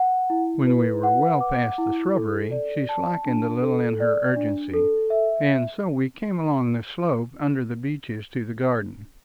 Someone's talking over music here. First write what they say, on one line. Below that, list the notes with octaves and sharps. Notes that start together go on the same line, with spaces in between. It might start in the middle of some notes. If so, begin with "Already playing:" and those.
When we were well past the shrubbery, she slackened a little in her urgency, and so we came along the slope under the beeches to the garden.
Already playing: F#5
E4
B4
F#5
D6
E4
A4
D5
A5
D4
A4
D5
D4
A4
E5